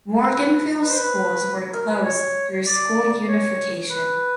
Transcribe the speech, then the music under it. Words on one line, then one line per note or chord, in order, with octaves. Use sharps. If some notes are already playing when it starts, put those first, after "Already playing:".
Morganville schools were closed through school unification.
B4
B4
C5
B4
A#4
B4
C#5
D5
C#5
B4